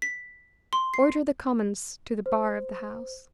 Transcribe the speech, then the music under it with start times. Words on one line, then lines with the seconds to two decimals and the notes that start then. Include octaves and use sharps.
"Order the Commons to the bar of the House."
0.02 B6
0.73 C6
0.94 C7
2.26 C5